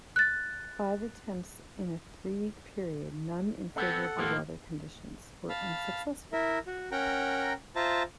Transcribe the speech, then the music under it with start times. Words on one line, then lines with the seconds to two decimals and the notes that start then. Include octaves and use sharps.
Five attempts in a three-week period, none in favorable weather conditions, were unsuccessful.
0.16 F#6 A6
3.76 B3 C4 D4 A4 F#5
4.17 A2 F3 A#3
5.49 F5 A5 B5
6.33 E4 A#4 E5
6.67 F#4
6.91 C#4 A#4 F#5 G5 A#5
7.76 F4 C5 E5 A5 A#5